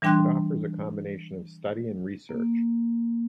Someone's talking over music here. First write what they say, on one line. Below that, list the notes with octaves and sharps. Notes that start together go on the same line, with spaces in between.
It offers a combination of study and research.
E3 G3 D4 G5 C6 F#6
A#3